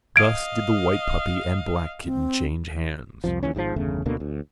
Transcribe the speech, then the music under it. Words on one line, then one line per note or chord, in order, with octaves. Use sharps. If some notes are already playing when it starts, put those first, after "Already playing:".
Thus did the white puppy and black kitten change hands.
D#5 F5 G#6 D7
C4
C2 F2 F3
D#2 C#3 E3 C#4
G#1 G#2 B2 F3
G1 E2 C#3 A3
D2 B2 D3 A#3
D2